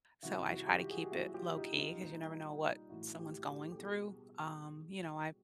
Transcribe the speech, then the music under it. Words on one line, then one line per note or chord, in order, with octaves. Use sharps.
so I try to keep it low key 'cause you never know what someone's going through. Um, you know, I've,
C3 D#3 G3 E4 F#4
E4 F#4
F4 G4
F#4 G#4
A#2 F#3 E4 F#4
F4 G4
D#4 F4
D#4 F4
A#2 G3 D#4 F4
A2 E3 G3 E4 F#4
F4 G4
G4 A4
G4
B2 G3 F#4 G#4